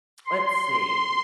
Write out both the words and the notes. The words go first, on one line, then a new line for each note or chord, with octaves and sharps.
let's see,
C6